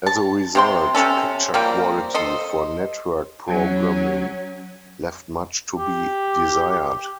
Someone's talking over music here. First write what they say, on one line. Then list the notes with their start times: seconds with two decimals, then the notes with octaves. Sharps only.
As a result, picture quality for network programming left much to be desired.
0.06 A5
0.55 C3 C4 C6
0.95 C3 G3 C#4 A4
1.54 F3 G3 A#3 C4
2.14 A4 C5 D#5
3.47 F#3 C#4
5.79 G4